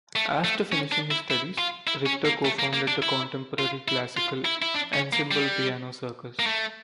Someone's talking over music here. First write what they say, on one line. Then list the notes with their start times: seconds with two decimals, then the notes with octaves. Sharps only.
After finishing his studies, Richter co-founded the contemporary classical ensemble Piano Circus.
0.16 A3
0.44 A3
0.72 C#4
0.92 D4
1.11 E4
1.30 E4
1.58 F4
1.87 E4
2.06 C#4
2.25 A#3
2.45 A3
2.59 A#3
2.73 A#3
2.88 D4
3.02 E4
3.59 F4
3.88 E4
4.17 F4
4.45 E4
4.62 E4
4.75 D4
4.93 C#4
5.13 A#3
5.31 G3
6.39 A#3
6.46 A3